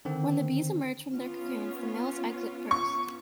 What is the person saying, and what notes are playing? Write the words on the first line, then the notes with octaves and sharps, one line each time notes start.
When the bees emerge from their cocoons, the males exit first.
D3 D#3 C4
B3 C#4 F4
C#6